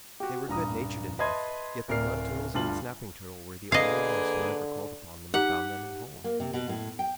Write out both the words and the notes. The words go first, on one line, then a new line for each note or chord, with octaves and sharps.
They were good-natured enough, yet the Mud Turtles and Snapping Turtle were the only ones who ever called upon them and found them at home.
F#4 G4
D#1 G2 A#5 D#6
B4 D#5 E5 A5 C6 G#6
D1 C3 A#4 D5 F6 C7
D2 G2 F4 A5 F#7
D3 A#3 G#4 B4 D#5 F5
D#4 G4 F#5
A#3
C3
B2
A2
G5